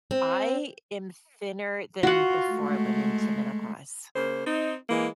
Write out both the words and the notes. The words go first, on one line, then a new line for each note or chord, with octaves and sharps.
I am thinner than before I went into menopause.
C4
F4 F#4 F#5
G#3 A3
C#3 A#3 C5
C4 D#4
E3 G#3 A#3